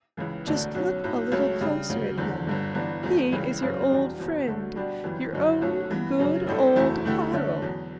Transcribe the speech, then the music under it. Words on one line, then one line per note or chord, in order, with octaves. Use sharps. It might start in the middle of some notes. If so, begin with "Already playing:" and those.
Just look a little closer at him: he is your old friend, your own good old Caro.
C#2 C#3 E3
E1 D2 D3 A3 D4
B1 B2 F#3 C#4
B1 A2 F#3
C#2 C#3 F#3 A3 C#4
C#3 G3 D4
D2 C#3 F#3
F#1 E2 D3
G1 G2 D3
G1 G2 E3 B3 D4
F#1 E2 B2 A3
C#2 C#3 E3 G3
F#1 F#2 C#3 F#3 C#4
E2 B2 G3 D4
F#1 E2 B2
D2 D3 F#3 A3
B2 G3 D4 F#4
G1 F#2 E3 G3
F#1 F#2 D3
B1 B2 A3 C#4
G2 E3 B3
F#2 C#3 F#3 C#4
A1 A2 G3 D4 A4
F#1 E2 B2 A3 E4
D2 D3 A3 E4 G4
D3 A3 C#4
E2 B2 F#3